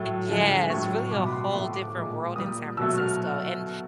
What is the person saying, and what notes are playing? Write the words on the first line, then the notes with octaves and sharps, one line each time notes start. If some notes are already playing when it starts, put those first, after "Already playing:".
Yes, really a whole different world in San Francisco, and
Already playing: A2 F#3 A3
D3 F3 G#3
A2 F#3 A3 C#6
B2 G3 D6
B5
C6
A2 F3 A3 C#6
D6
A#2 F3 G#3
A#2 G3 D#6
B2 F#3 A3 E6
F6